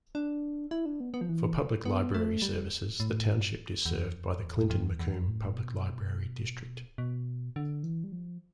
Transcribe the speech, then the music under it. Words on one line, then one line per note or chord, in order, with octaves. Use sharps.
For public library services, the Township is served by the Clinton-Macomb Public Library district.
D4
E4
D4
B3
B3
F3
E3
B3
A3
G3
A2
G2
E2
F2
E2
G2
F2
E2
E2
F2
A2
B2
B2
D3
E3
G3
F3